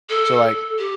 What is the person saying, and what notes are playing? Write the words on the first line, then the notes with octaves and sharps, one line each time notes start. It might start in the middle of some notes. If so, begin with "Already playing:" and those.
So, like,
A4
G4